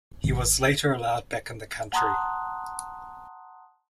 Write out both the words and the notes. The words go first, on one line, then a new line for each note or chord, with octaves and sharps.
He was later allowed back in the country.
G#1
F#5 A5 A#5 C6 D#6 F#6